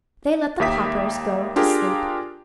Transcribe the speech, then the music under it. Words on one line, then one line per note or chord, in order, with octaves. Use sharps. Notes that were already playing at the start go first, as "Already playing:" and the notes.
They let the paupers go to sleep!
D#2 A#3 G4 E5 D#6 B6
D4 F4 G4 G#4 A#4